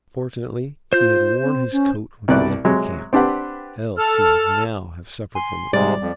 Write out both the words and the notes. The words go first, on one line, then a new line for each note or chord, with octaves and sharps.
Fortunately he had worn his coat when he left the camp, else he would now have suffered from the cold.
F4 C5 G6
C4
C#4
C2 B2 A3 D5 F#6
C3 F#3 G#3
C4 D4 G4 B4 F#5
A4 F6
G#5 C6
G#2 C3 G3 G#3 D5
F2